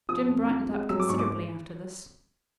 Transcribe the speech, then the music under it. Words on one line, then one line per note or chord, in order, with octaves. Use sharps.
Jim brightened up considerably after this.
F3 D#6
F2
D3
G#3
F#3 E6
D6
G#2 C#6
D6